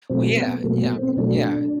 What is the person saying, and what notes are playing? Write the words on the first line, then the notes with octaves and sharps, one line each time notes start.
Well, yeah, yeah, I mean yeah.
B2 F#3 A3 C4
B3
B2 F#3 A3 A#3
B3
C4
B2 F#3 A3 D4